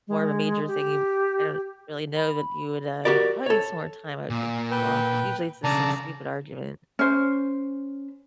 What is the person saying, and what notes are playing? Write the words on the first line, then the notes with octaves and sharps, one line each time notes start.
more of a major thing he I don't really know that you would, uh, probably need some more time, I would think, to cool off, but, usually, it's just some stupid argument.
G#3
G4
B5
F#4 G4 A#4 D5
A4 C#5
A#2
B4 G5
C#3 D4 D5 A5 A#5
C#4 C5